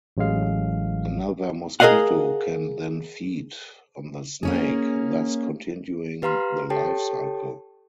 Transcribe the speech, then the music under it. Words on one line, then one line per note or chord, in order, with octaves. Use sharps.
Another mosquito can then feed on the snake, thus continuing the lifecycle.
A1 F#3 G#3 F5
G#4 A#4 C#5 D#5 F5 F#5
A#3 C#4 G#4
G4 B4 F5 A#5 C6 F6
G4 A4 C#5 G5 A5